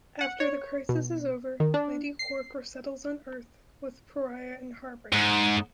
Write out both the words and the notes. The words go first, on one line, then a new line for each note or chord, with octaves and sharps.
After the Crisis is over, Lady Quark resettles on Earth with Pariah and Harbinger.
F#5
C#5
B2
D#3
D4
C7
G#2